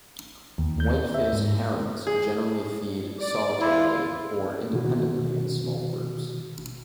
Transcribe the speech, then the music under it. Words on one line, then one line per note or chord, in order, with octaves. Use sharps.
White-faced herons generally feed solitarily or independently in small groups.
D#2
G6
E5
G#2
G#4
D5
E4 F4
B2 D#3 F#4